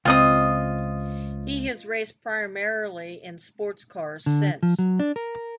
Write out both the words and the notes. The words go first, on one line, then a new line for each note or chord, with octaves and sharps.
He has raced primarily in sports cars since.
C#2 C4 F4 D#5 D#6
D3
F3
F#3
D4
A#4